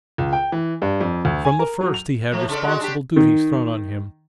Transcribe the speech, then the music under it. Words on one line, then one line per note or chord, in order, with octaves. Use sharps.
From the first he had responsible duties thrown on him.
C#2
G5
E3
G2
F2
D2
G#5
A#4
F#3
F7
A2 F3
C#3 A4 D5
G#3 F#4
D4 G4
D#3